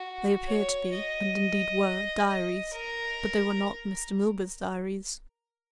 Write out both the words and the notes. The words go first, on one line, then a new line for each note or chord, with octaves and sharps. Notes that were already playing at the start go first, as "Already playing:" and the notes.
They appeared to be, and indeed were, diaries, but they were not Mr. Milburgh's diaries.
Already playing: F#4
C#5
D#5
D#5
A#4